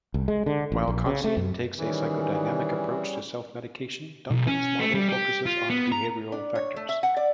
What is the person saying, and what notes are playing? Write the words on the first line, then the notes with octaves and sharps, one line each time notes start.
While Khantzian takes a psychodynamic approach to self-medication, Duncan's model focuses on behavioral factors.
C2
G#3
D3
A1
A#1
C#3
A3
F#2
D#3 E3 G3 C#4 G#4
B1
C#4
A3
G3
G4
F4
B3
A#5
D4
C#5
A3
E5
F#5
D5